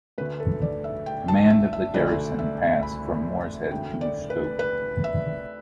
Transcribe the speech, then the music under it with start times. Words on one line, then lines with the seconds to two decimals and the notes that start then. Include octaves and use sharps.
Command of the garrison passed from Morshead to Scobie.
0.18 D2 D3 A3 B4
0.40 A4
0.62 D5
0.84 E5
1.06 G5
1.28 A5
1.50 E5
1.73 E5
1.94 D2 D3 A3 D5
2.39 E5
2.83 B5
3.71 D2 D3 A3 G5
4.01 D5
4.30 B4
4.59 B4
5.04 E5